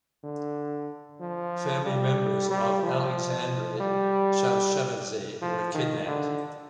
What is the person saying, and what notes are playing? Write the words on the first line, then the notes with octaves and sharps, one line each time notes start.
Family members of Aleksandre Chavchavadze were kidnapped.
D3
F3
G3
G3
F3
G3
F3
D#3
D3